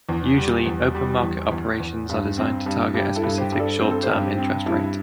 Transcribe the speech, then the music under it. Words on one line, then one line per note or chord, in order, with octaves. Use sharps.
Usually, open market operations are designed to target a specific short-term interest rate.
E2
G3
E2
G3
E2
E2
E2
G2
C4
G2
G2 G4
E4 A4
G2
G4 C5
G2
A4 D5
C4 C5
A4
G4 C5
G2
G4
C4
G2 E4